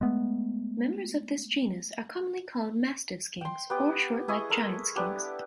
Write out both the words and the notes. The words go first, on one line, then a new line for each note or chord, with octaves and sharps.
Members of this genus are commonly called mastiff skinks or short-legged giant skinks.
G#3 A3 B3
G5 C6
B3 G4 G5
E4 G#4 D#5 C#6
G#3 A4 A#4
B3 D4 G4